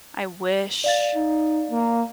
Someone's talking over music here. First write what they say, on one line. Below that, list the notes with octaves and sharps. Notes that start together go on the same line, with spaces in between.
I wish
D5 F5 A6
D#4
A#3